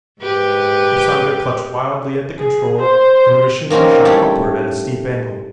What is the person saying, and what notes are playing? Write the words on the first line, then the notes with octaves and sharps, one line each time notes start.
Usanga clutched wildly at the control and the machine shot upward at a steep angle.
G#2 G4 B4
G#4
C5
D#3 A#3 C4 C#4 A#4
G3 A3 E4 C#5